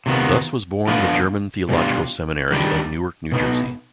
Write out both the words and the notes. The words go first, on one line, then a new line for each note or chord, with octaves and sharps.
Thus was born the German Theological Seminary of Newark, New Jersey.
C3 D#3 B3 F4
D3 F3 B3 D4 F4
B2 G3 D4 F4
D#3 G3 D4
B2 B3 D#4